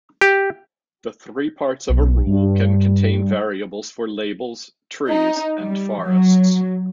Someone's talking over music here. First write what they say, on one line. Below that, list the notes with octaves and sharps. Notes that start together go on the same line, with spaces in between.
The three parts of a rule can contain variables for labels, trees, and forests.
G4
B1
G2
D#4
G3
F#3